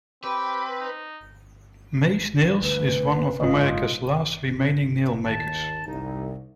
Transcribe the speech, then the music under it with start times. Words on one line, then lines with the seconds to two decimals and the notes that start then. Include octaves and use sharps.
Maze Nails is one of America's last remaining nail makers.
0.24 C4 G4 B4
0.80 D#4
2.63 D2 B4
3.40 F#1 G#2 F4 D#5
5.24 D#2 A5
5.87 C2 D#4